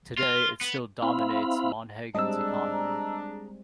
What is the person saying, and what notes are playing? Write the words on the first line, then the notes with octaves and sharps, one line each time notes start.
Today, it still dominates Monhegan's economy.
F4
B3
C4 E4 F5 B5
G3 G#3 C4 D4 G#4 D#5 A#5 E6